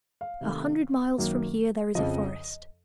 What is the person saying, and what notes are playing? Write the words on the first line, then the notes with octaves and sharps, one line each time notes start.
A hundred miles from here there is a forest.
F5
C3 D#3 A3
F#2 D#3 F#3 A#3
F2 C#3 F3 D#5